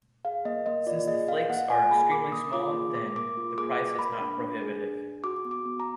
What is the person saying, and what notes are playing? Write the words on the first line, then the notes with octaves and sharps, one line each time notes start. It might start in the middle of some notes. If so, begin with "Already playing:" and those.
Since the flakes are extremely small and thin, the price is not prohibitive.
G#4 F5
A#3 D#5
A#3 D#5
F4 D5
G#4 D#5
A#3 F5
A#3 F#5
F4 G#5
G#4 B5
A#3 D6
A#3 D#6
F4 D6
G#4
A#3 D6
A#3 D6
F4
G#4 D6
A#3
A#3 B5
D4
D4
G#4
D4
G#4
F#4 D6
B3
D6
B3
A#5